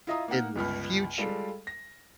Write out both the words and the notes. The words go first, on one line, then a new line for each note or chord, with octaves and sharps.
in the future
E4 F4 D#5 F5 A#5 D#6
A#3 D#4 F#5 F6
G1 C#2 B5 F6
G3 G#3 F4 A4 D5 F5
A#6